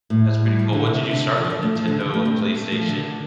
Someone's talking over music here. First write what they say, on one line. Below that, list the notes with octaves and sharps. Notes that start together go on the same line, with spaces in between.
That's pretty cool, what did you start with? Nintendo? PlayStation?
A2
G3
F3
D3
C3
D3
F3
D3
F3
A3
F3
D3
F3
A3
C4
A3
A3
F3
D3